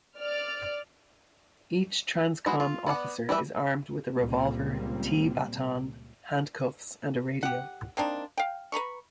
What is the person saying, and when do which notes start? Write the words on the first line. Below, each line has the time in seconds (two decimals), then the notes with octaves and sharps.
Each TransCom Officer is armed with a Revolver, T-baton, Handcuffs and a Radio.
0.18 D5 F6
2.46 G#3 B3 E4 F#4
2.60 F4
2.86 B3 D5 F5 F#5
3.29 E3 G3 B4 E5
4.14 C#2 A#2 G3 A#3 C4
7.43 G4 F#5
7.97 A#3 C4 D4 D#4
8.37 F5 G5
8.72 B4 A#5 B5 C#6